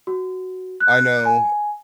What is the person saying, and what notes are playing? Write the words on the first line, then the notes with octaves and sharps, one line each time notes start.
I know
F#4
F#6
G#5